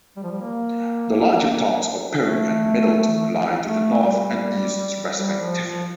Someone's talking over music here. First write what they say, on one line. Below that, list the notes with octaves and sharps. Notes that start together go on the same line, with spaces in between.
The larger towns of Bury and Middleton lie to the north and east respectively.
G3
F3
G3
A#3
A3
A3
G3
G3
F3
F3